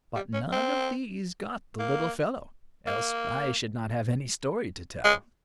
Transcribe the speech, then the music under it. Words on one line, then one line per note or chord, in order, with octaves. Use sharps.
But none of these got the little fellow, else I should not have any story to tell.
G3
C#4
C4
A#3
A#3
G#3